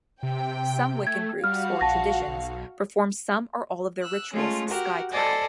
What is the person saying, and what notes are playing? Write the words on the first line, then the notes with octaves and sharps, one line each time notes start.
Some Wiccan groups, or Traditions, perform some or all of their rituals skyclad.
C3 G5
A3 G#6
G3 F#4 F5 F6
A#1 A5 A#6
B1
E6 F#6
G#3 A3 C#4 F4
F#4 G4 A#4 F#5
A4 C5 D5 D#5 G#5